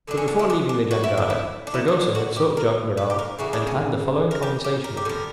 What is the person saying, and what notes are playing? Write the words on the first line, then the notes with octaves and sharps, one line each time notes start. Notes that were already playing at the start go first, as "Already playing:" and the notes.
But before leaving the jangada Fragoso had sought Joam Garral, and had the following conversation with him.
D3 F#3 B3 D4
C#4
D4
E4
D4
D4
F#4
E4
D4
E4
D4
D3 F#3 B3 E4
D4
D4
F#4
G4
A#4
B4
G4
A#4
C#3 E3 A#3 F#4
D4
C#4
A#4
G4
G4
A#4
G4
D3 G3 B3 A#4